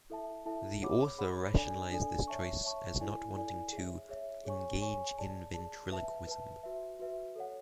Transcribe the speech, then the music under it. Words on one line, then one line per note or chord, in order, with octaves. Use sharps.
The author rationalised this choice as not wanting to "engage in ventriloquism".
E4 A4 E5 A5
E4 A4 E5 A5
G#4 C#5 F#5 B5 D6
G#4 C#5 F#5 B5 D6
D4 A4 D5 G#5
D4 A4 D5 G#5
C#5 E5 A5 C#6
C#5 E5 A5 C#6
E4 A4 D5 G#5
E4 A4 D5 G#5
G#4 C#5 E5
G#4 C#5 E5
G#4 C#5 G#5 C#6
G#4 C#5 G#5 C#6
G#4 D5 A5
G#4 D5 A5
B4 E5 A5
B4 E5 A5
F#4 B4 E5
F#4 B4 E5
A4 C#5 F#5